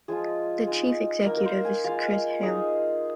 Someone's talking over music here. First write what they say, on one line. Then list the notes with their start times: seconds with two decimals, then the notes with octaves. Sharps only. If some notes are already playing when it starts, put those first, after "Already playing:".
The Chief Executive is Chris Ham.
0.08 F3 G#3 F4 G#4
0.67 G#3 D#4
1.25 A#3 D#4 A#4
1.37 A#4
1.46 C5
1.65 G#5
1.84 G#3 F4 F5
2.43 G#3 D#4 G#4